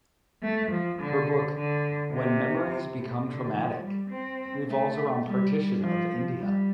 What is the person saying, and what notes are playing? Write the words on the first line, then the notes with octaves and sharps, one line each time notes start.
Her book "When Memories Become Traumatic" revolves around partition of India.
A3
F3
D3
D3
C3
A2
D3
F3
G3
C4
A3
G3
F3
G3